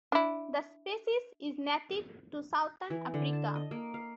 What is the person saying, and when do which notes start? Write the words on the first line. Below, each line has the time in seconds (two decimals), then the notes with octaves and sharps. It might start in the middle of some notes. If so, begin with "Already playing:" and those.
The species is native to southern Africa.
0.12 D4 E4
2.90 E3
3.14 D3
3.33 A5
3.55 D#5
3.71 A#3
3.94 F5